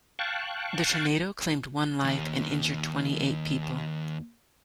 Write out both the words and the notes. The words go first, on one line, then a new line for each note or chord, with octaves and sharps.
The tornado claimed one life and injured twenty-eight people.
F5 G5 A5 C#6 F#6
D#2 A#3